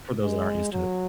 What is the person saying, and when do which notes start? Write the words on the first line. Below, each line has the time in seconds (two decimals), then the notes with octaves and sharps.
for those that aren't used to it.
0.24 G#3
0.73 F#3